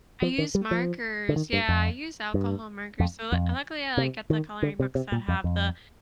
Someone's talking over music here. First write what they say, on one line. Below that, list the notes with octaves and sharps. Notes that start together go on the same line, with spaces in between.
I use markers yeah, I use alcohol markers, so lu luckily, I, like, get the coloring books that have the
F3
D#3
G3
F3
D3
D#3
G2
F2
G2
F2
F2
C3
D#3
D3
C3
C3
A#2
F2
F2